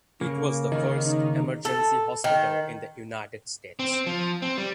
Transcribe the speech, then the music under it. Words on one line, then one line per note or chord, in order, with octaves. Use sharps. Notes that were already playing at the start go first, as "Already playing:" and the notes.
It was the first emergency hospital in the United States.
C#3 A#3
D#3
D#4
A4
D#3
C4
F3
C4
G3